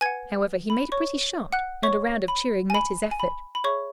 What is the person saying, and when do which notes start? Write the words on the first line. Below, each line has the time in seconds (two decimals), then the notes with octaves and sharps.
However, he made a pretty shot, and a round of cheering met his effort.
0.01 B4 F#5 G#5 G#6
0.70 B5
0.92 C#5 C#6
1.52 F#5 F#6
1.83 C#5 C#6
2.28 B5
2.70 G#5
2.75 B5
3.11 G#5
3.20 B5
3.55 B5
3.64 G#4 C#5 E5 C#6